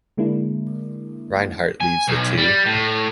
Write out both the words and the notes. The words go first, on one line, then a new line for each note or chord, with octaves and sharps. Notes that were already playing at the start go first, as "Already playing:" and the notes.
Reinhardt leaves the two.
D3 G#3 A#3 D4 E4
G#5
B1
G3
A2